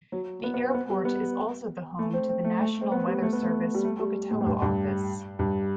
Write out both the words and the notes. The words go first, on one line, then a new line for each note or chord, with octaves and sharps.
The airport is also the home to the National Weather Service Pocatello Office.
F#3
B3
B3
C4
B3
G3
B3
A3
C4
C4
A3
A3
C4
B3
G3
A3
B3
A3
G3
A3
G3
A2
A2
G2
G2
G2